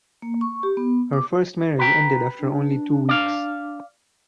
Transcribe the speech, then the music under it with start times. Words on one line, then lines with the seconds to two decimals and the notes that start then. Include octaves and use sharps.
Her first marriage ended after only two weeks.
0.22 A#3
0.41 C#6
0.63 G4
0.77 B3
1.13 D6
1.79 B4 G5 A#5
2.40 D4
3.09 D5 F5